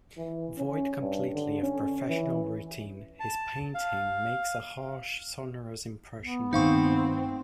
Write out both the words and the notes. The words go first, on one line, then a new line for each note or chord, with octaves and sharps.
Void completely of professional routine, his painting makes a harsh, sonorous impression.
E3
C#4
G2
D3
C#4
E3
A5
F5
B3
G2 D#3 A3 C4 D#4 F5 C#6